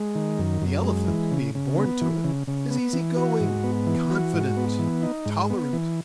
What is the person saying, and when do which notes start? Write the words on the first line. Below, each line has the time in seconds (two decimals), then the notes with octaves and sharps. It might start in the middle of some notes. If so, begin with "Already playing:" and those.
The elephant, being born to it, is easy-going, confident, tolerant.
Already playing: G#3
0.15 D#3
0.39 F#2
0.62 F#2
0.84 G#3
1.08 E3
1.31 C#3
1.55 C#3
1.78 B3
2.01 E3
2.24 C#3
2.48 C#3
2.70 B3
2.93 E3
3.16 F#4
3.41 G#2
3.64 B3
3.87 E3
4.10 F#4
4.33 G#2
4.57 B3
4.79 E3
5.03 D#4
5.25 G#2
5.50 B3
5.73 E3